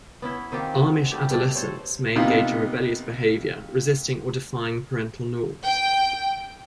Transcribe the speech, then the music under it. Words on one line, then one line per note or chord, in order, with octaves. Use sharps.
Amish adolescents may engage in rebellious behavior, resisting or defying parental norms.
B3 C#4 E4
D#3 C4 F4 G4
G#3 F#4
G3 A3 G4
G2 B2 A3 D5
A4 C5 C#5
C3 A#3 B3 D#4 F4 C6
G5